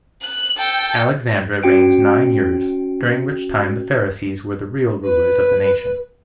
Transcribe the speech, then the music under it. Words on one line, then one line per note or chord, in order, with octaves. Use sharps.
Alexandra Reigns Nine Years, During Which Time The Pharisees Were The Real Rulers Of The Nation.
F#6
A4 G5
C#4 F#4 G5 D7
B4